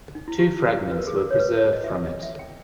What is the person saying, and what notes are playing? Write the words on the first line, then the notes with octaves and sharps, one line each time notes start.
Two fragments were preserved from it.
D#4
E4
G4
B4
A#4
G#4
A#4
C#5
B4
C#5
D#5
E5
D#5
D#5
E5
G5